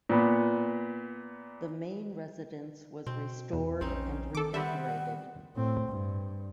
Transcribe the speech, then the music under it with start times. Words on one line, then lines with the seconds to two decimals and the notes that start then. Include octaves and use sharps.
The main residence was restored and redecorated.
0.09 A#2 B3
3.07 B2 C4
3.53 E2
3.81 A#1 C4 C#4 D#4
4.35 D#3 A4 D6
4.54 G3 B3 C4 E5 F#5
5.56 A2 C4
5.88 G2